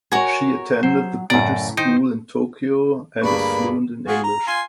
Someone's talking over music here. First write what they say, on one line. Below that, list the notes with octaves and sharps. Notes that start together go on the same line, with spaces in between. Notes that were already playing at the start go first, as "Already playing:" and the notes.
She attended The British School in Tokyo and is fluent in English.
F#4 A#4 C#5 G#5
F#3 C5
F#2 A2 C#3 D5 A#5
D#3 D#4 C5 G5
D2 G2 A#3 G#4 B4 D5 B5 C#6
F4 F#4 G#4
A#5
F4 G#5 C6